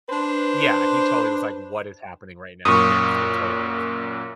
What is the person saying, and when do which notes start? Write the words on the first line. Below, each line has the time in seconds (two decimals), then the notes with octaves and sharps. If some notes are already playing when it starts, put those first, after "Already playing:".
Yeah, he totally was like, "What is happening right now?" Yes, they totally.
0.09 D4 B4 C5
2.65 F#2 A#2 C#6 D#6